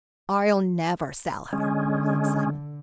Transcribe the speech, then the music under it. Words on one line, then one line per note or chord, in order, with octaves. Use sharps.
"I'll never sell her," said Simon.
D3 G#3 C#4